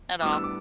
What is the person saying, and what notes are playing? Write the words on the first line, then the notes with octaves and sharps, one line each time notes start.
at all.
A2 G3 B3 D4 D6
E6
D6